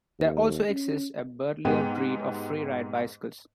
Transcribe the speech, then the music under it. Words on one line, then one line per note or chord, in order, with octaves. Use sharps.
There also exists a burlier breed of freeride bicycles.
D#2
C#4
G#2 G#3 B3 G4 G5 D#7